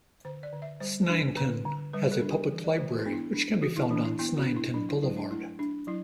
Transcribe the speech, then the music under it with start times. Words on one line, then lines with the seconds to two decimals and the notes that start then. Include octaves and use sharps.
Sneinton has a public library, which can be found on Sneinton Boulevard.
0.25 D3 C5
0.43 D5
0.53 D3
0.62 E5
0.80 G3 C5
1.09 D4
1.37 D3 B4
1.65 D3
1.93 G3 B4
2.12 A4
2.22 D4
2.31 G4
2.49 E3
2.64 D5
2.78 E3 C5
2.92 F#4
2.99 E4
3.06 B3 D4
3.13 E4
3.34 D4
3.62 E3 F#4
3.76 E4
3.91 E3 D4
4.05 E4
4.19 B3 E4
4.37 F#4
4.47 D4
4.56 E4
4.74 F#3 D4
4.89 E4
5.02 F#3 E4
5.17 D4
5.31 A3 E4
5.59 D4
5.87 F#3 E4